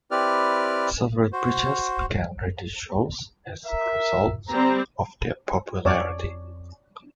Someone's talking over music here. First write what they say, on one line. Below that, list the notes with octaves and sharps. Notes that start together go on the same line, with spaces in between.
Several preachers began radio shows as a result of their popularity.
C4 E4 G4 B4 D5 F6
F#4 C5
A#4 E5
D3 G3 C4 A#5
F2 C#5 D5